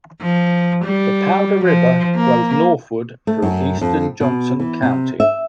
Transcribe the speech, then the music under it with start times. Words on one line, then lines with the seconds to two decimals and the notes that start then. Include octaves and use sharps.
The Powder River flows northward through eastern Johnson County.
0.21 F3
0.85 G3
1.65 F3
2.16 A#3
3.27 A3
3.42 F#2
3.81 F2
4.20 B2
4.59 E3
4.83 C3
5.20 E5